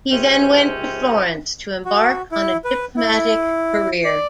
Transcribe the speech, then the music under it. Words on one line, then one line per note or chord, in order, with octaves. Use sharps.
He then went to Florence to embark on a diplomatic career.
C#2 G#2 C3 C4 C#4 G5
F#4
E4
B4
E4
D5